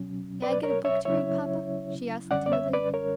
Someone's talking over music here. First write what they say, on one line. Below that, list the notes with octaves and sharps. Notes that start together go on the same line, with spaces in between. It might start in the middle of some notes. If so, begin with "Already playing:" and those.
"May I get a book to read, papa?" she asked timidly.
Already playing: C#2 B2 F#3 C#4
B4 D5
A#4 C#5
C#5 E5
C#3 F#3 C#4 E4 C#5 E5
F#2 D3 G3 C#4 D5 F#5
D5
C#5 E5
B4 D5
A#4 C#5